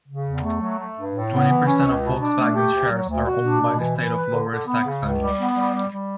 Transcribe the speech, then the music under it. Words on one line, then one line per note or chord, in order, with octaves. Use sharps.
Twenty percent of Volkswagen's shares are owned by the state of Lower Saxony.
C#3
E2
A3
F#3
A3
G2
A2
B3
E3
C#4
C#2
B2
D4
A3
G4
D2
F#3
D2
F#4
D4
B2
E3
E3
B4
D3
D3
B3
C#3
C#2
G3
B3
G3
G3
G3